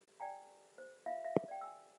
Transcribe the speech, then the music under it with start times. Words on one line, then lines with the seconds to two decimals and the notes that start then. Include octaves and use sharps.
Ford introduced flexibility into mass production, so that Fordism could continue to evolve.
0.20 D5 G5 G#5 A#5
0.78 C5
1.06 F4 E5 F5
1.24 E5 F5
1.48 D5 G5
1.61 G#5 E6